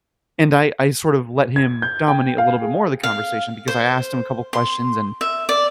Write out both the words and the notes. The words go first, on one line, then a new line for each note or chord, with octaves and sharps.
and I I sort of let him dominate a little bit more of the conversation, because I asked him a couple questions and
G#6
G6
G5
F5
G#4
F5
C5
C6
E5
D5